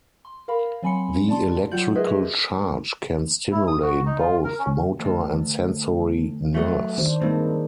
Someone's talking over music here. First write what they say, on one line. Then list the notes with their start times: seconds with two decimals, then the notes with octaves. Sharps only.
The electrical charge can stimulate both motor and sensory nerves.
0.25 C6
0.48 A#4 F5 B5
0.83 F#3 C4 G#5 B5 C6 C#7
1.29 D5 A5 C6
1.71 F#3 F4 F#5 G5 G6 F#7
1.95 G#4 A#4 B4 D#5 E5 C6
3.52 E4
3.67 D#6
3.82 F#4
4.05 D#4
4.18 F4
4.44 A#4
4.58 C#4
4.99 D2
6.54 F#3 A3
6.98 D#3 D4 C5
7.21 G2 G#3 A#3 C4 D#4